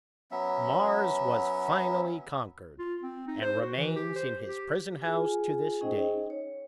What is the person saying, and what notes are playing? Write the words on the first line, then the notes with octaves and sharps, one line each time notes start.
Mars was finally conquered, and remains in his prison-house to this day.
F#3 B3 C#4 E5
F4
C4
D#4
C5
F#4
E3
G4
C5
G4
F4 G#4 G#5
C#4 D#4 G#4 C5 D#5 G5
C#5